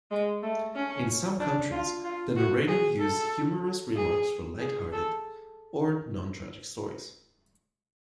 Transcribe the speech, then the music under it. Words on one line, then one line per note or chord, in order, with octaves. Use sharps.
In some countries, the narrator used humorous remarks for light-hearted or non-tragic stories.
G#3
A3
C#4
D4
F4
F4
F#4
G#4
A4
G#4
G#4
A4